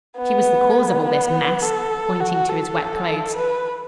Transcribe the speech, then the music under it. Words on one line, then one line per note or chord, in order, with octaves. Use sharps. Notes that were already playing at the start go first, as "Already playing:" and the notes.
"She was the cause of all this mess," pointing to his wet clothes.
B3
B3
A4
F#4
A4
B4